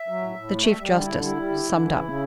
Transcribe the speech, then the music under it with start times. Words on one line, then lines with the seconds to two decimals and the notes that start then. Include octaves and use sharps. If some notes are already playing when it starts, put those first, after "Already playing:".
The chief-justice summed up.
Already playing: E5
0.08 F#3
0.22 A2
0.36 A2
0.51 A3
0.64 G3 E5
0.78 G3
0.92 D3
1.02 E4
1.07 D3
1.21 G3 E4
1.36 G3
1.50 D3
1.64 D3
1.78 E3
1.92 C#3
2.06 C#3